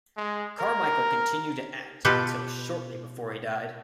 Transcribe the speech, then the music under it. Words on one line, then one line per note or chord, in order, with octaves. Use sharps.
Carmichael continued to act until shortly before he died.
G#3
A#4
B2 F4 G4 A4 B4